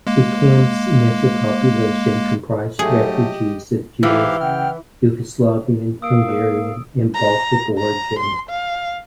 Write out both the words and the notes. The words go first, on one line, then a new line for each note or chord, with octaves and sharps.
The camp's initial population comprised refugees of Jewish, Yugoslavian, Hungarian, and Baltic origin.
G#3 A#3
G#2 F#3 A3 G4 G#4 D#5
G#2 E3 G4 F5
C#3 F#5 G5 F6
A#3 F5 D#6 E6 D7
A#5
A#5
C6
F5